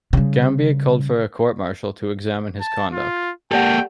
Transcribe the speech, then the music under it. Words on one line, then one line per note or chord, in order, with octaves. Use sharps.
Gambier called for a court martial to examine his conduct.
C#3 G3
A5
F4
A#3 G4 A4 D5 F#5 G5